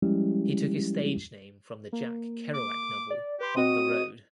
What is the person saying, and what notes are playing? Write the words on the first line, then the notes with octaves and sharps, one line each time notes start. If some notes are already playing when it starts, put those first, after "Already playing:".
He took his stage name from the Jack Kerouac novel "On the Road".
F3 G3 G#3 C#4 E4 G4
A#3
D6
D5
G4 B4 C6
C4 F#4 D#5 D#6